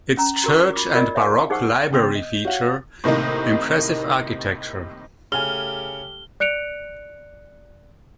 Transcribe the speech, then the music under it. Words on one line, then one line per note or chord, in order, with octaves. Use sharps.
Its church and baroque library feature impressive architecture and artwork, including intricate ceiling frescoes.
C#4 A#5
F#4 A#4 C#6
F4 D6
F4 A#4 D5 D#5
C#5 E5 F5 G#5
D#4 G#4 C5 F#5 C#6
C#3 B3 G5 C6 G6
D#5
F#4 C#5 F5 F#5
A2 C3 D#3 A#3 D#4
C#3 A3 G4 G#5 F6 G7
D5 F#6 C#7 D7 F7